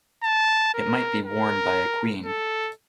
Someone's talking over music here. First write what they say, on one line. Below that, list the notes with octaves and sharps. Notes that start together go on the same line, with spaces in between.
It might be worn by a queen.
A5
A#4
A#4
A4